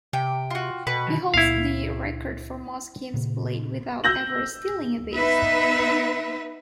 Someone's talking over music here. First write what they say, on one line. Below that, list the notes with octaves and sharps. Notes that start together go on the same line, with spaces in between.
He holds the record for most games played without ever stealing a base.
C3 G5
F4 F#4
B2 B4 F#5
D3 D#3 F#3
C#2 A#2 B3 E4 F5
A#2 C#3
E6 G6 A#6 F#7
B3 D#4 B4 E5